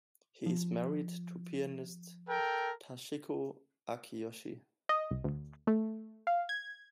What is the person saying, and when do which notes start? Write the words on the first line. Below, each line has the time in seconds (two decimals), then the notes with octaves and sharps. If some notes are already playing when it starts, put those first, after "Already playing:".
He is married to pianist Toshiko Akiyoshi.
0.46 F3
2.28 A4 A#4 G5
4.89 D#5
5.11 C2
5.24 D2
5.67 A3
6.27 F5
6.49 G#6